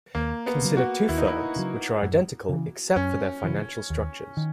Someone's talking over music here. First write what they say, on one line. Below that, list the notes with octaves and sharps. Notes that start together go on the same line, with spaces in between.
Consider two firms which are identical except for their financial structures.
D#2 A#3
B3
C#3 F#3
F#4
D#2 E4
D#4
E4
C#3 F#3
F#2
C#3 E3
F#2 C#4
C#3 E3
D#2
D#3